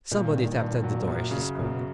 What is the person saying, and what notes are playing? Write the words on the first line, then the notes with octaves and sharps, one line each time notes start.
Somebody tapped at the door, as she spoke.
G2 A#2
D#3
G2
F#3
F#2
C#3
F#2
A#2
B2